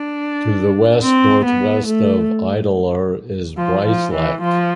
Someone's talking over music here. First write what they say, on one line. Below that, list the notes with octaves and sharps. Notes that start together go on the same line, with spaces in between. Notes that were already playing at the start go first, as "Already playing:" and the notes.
To the west-northwest of Ideler is Breislak.
Already playing: D4
C4
B3
A3
F3
F3
E3
F3